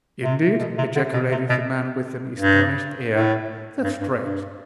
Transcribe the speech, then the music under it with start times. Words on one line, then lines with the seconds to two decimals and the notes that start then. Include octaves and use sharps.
"Indeed!" ejaculated the man with an astonished air, "that's strange!"
0.24 C3
0.60 B2
0.78 C3
0.95 D3
1.13 B2
1.31 C3
1.49 B2
2.39 G2
3.11 A2
3.84 G2
4.01 G2
4.19 G2